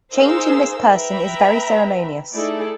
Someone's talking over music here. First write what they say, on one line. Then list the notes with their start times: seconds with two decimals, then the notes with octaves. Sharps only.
Changing this person is very ceremonious.
0.13 D#4 G#4 A#4 C5 F5 E6
0.88 B4 E5 G5 A#5 B5
2.33 A3 D#4 E4 G#4 A4 D5